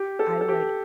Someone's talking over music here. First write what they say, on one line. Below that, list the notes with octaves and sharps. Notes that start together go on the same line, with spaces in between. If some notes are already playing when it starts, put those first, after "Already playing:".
I would
Already playing: G4
A4
A4
G4